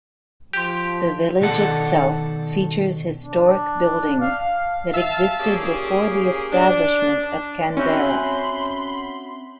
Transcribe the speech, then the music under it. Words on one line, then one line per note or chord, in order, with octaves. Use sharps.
The village itself features historic buildings that existed before the establishment of Canberra.
F3 G4 C6 G6
B2 D#3 F#4 A4 D5 F#5
D4
F5
E5 F5 A5
A#2 A#3 C#4 G4 G#4
D4
C4 C#4 F#4 E5 B5 C6